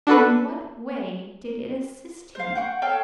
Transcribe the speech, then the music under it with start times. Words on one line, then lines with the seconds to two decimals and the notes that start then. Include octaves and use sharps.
In what way did it assist him?
0.07 D4 F#4 A4 B4
2.35 C5 F5
2.55 F#5 G5 C#6
2.82 A4 C#5 F5 G5